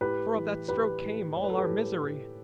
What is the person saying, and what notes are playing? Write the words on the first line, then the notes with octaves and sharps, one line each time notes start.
For of that stroke came all our misery.
A2 G4 B4
E3
A2 G4 B4
A2
A2 C#5
B4
A4
G4 B4
A2
A2